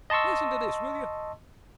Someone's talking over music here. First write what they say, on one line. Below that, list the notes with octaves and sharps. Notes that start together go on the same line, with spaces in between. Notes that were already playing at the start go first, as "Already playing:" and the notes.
Listen to this, will you?
D#5 A5 C6 C#6 E6